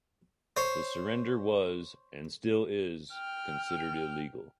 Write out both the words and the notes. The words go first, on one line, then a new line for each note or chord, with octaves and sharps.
This surrender was, and still is, considered illegal.
C5 C#5
G5 F6